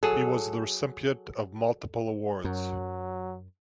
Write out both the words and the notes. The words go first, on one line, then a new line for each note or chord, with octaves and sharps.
He was the recipient of multiple awards.
F#3 G#4 A4
F#2 F#3